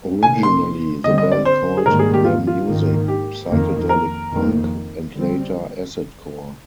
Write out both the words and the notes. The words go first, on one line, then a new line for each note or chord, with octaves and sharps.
Originally the band called their music "Psychedelic Punk" and later "Acid Core".
C3 D#3 A#3 G#5
C6
D3 G3 C4 D#5
D#5
D5
C5
G#4
G#2 D#3 G3 A#3 A#4
G#4
G4
F4
F4
G#2 D#3 A#3
G4
F2 D#3 A#3
A#4
F2 D#3 A#3
D3 G3 C4